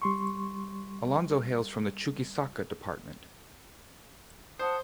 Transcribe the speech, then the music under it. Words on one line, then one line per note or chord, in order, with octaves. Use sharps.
Alonzo hails from the Chuquisaca Department.
G3 C6 C#6
C5 F#5 A5 D#6